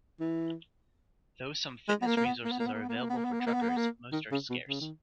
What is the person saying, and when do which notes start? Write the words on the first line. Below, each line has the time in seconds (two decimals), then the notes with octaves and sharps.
Though some fitness resources are available for truckers, most are scarce.
0.20 E3
1.88 G#3
2.02 B3
2.07 A#3
2.17 A#3
2.26 B3
2.44 A#3
2.52 B3
2.59 A#3
2.67 B3
2.74 A#3
2.82 B3
2.89 A#3
2.96 B3
3.03 A#3
3.10 B3
3.17 A#3
3.25 B3
3.33 A#3
3.40 B3
3.46 A#3
3.54 B3
3.62 A#3
3.70 B3
3.77 A#3
4.13 D#3
4.32 C#3
4.50 B2
4.69 C#3
4.81 D#3